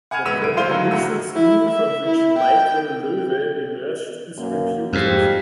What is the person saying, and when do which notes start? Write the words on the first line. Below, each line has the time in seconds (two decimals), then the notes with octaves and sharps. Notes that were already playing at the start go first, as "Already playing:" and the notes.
The probabilistic school from which Michel Loève emerged is reputed.
0.11 F#5 G#5 B5 F6 G#6 D#7
0.25 E1 B3 E6 D#7 F7
0.41 C2 D7
0.57 D2 F4 C5 F5 D#7 G7
0.69 D3 D#3 F#3 A#3 F#4
0.91 C#2 A2 F#3 E4 F#5 E6
1.36 E4
1.69 E5
2.06 E4
2.38 G5
4.38 F#2 B2 A#3
4.93 F2 G#2 F3 G3 G4